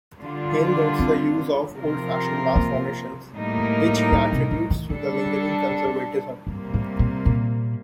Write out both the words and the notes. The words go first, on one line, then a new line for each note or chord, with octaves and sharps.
Hale notes the use of old-fashioned mass formations, which he attributes to lingering conservatism.
D3 G3 D4 F4
C4
C3 F3 C4 F4 A#4
A#3
A2 G3 A#3 D#4 A#4
A3
C3
D#3
D#3
D3 G3 D4 A4
G2 C3 G3 A#3
A2
A#2
A#2